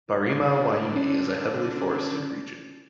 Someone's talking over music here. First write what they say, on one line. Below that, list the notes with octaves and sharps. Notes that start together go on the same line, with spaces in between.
Barima-Waini is a heavily forested region.
D3
C#4